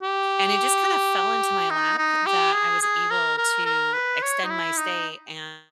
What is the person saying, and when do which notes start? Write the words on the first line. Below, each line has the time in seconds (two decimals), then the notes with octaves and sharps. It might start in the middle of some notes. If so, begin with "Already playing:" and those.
And it just kind of fell into my lap that I was able to extend my stay and
0.03 G4
1.71 D#4
1.98 D#4
2.26 G4
2.54 G#4
2.82 G#4
3.11 A#4
3.38 A#4
3.65 A#4
3.93 B4
4.22 C#5
4.44 D#4
4.50 E4
4.77 D#4